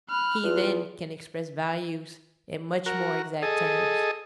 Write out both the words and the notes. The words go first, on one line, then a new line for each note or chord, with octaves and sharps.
He then can express values in much more exact terms.
B5 F6 F#6
E2 F4
F#4 A#4
G#4 A4 D#5